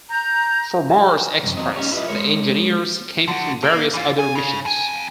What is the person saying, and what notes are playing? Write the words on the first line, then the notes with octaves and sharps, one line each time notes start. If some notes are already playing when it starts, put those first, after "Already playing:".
For Mars Express the engineers came from various other missions.
A#5 G6
C2 F#2
E2 F#3 C4 D#5
C#4 D#4 G4 C#5
E4 F4 G4 B4 C5 D#5
G#3 A#4 C#5
D3 F#4
A#3
E3 F4
G#5
C#3
F2 G#5